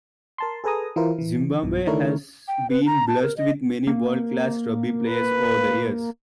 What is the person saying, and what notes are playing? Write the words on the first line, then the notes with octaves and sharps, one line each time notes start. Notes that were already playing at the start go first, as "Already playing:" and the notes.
Zimbabwe has been blessed with many world-class rugby players over the years.
A#4 A5 C6
G#4 A4 B4 G#5 A#5 D#6
E3 E4 F4 A#4 C5
E3
B1 G2 B2
D#3 A3 D4 E4 A#4 C#5
G5
B4
A#5
A5
A#4
D#5
A#3
B4